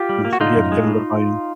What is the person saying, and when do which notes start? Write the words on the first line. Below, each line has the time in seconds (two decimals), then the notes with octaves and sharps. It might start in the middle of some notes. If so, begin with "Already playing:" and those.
Yeah, so he had to get 'em to buy in.
Already playing: F4 G4
0.09 G3
0.25 A#3
0.33 F#4
0.40 D3 D#4 F4
0.56 F#2
0.72 G#3
0.86 A2